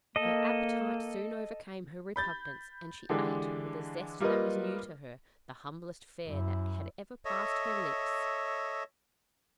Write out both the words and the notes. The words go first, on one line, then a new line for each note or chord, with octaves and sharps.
Her appetite soon overcame her repugnance, and she ate, with a zest that was new to her, the humblest fare that had ever passed her lips.
A#3 A4 D#5
B5 G6 A6
D3 E3 G#3 D4 G4
G3 A#3 F4 A#4 B4 D#5
F#2 E4
A4 C#5 D#5 E5